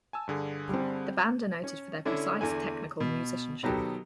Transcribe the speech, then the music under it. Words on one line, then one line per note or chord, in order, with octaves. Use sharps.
The band are noted for their precise, technical musicianship.
G#5 A5 E6
G2 D3 G#4
G3 C4
C#4
D3 C#4 D4 E4
E2 D3 G#5
B2
B2 D#3 F#3 B3 G4 A4